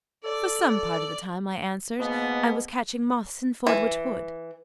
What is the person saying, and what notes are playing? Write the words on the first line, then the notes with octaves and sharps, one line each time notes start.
"For some part of the time," I answered, "I was catching moths in Fordwitch Wood."
A4 D5
D5
G#2 B2 A#3 B3
E3